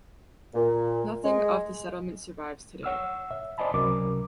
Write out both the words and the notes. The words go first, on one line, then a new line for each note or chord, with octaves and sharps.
Nothing of the settlement survives today.
A#2
G#3
C#5 F#5 E6 F6
E5
C5 D5 D#5 G#5 A5 B5
C#2 C3 F#3 C#4 A#4 D6